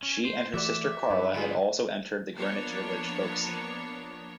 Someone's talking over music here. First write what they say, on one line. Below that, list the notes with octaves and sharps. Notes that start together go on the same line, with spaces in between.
She and her sister Carla had also entered the Greenwich Village folk scene.
C#4
C5
E3 A3 F#4 D5 E5 D6
G2 B4
D3 G3 G#3 B3 F4 G#4
F3 A#3 B3 D4 C#5